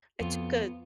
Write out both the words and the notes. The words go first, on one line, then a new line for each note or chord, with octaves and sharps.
I took a
F2 B3 F4